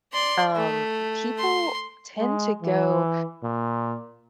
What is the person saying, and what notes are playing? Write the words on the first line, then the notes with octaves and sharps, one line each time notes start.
um, people tend to go
D5 C6
A3
C6
G#3
E3
A#2